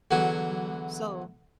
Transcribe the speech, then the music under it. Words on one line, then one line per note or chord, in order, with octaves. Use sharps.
Mhm, so
E2 D3 E3 F#3 F#4